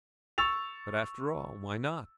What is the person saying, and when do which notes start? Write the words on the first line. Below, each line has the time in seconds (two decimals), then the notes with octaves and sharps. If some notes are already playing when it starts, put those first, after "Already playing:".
But, after all, why not?
0.38 C#6 E6 A6 F7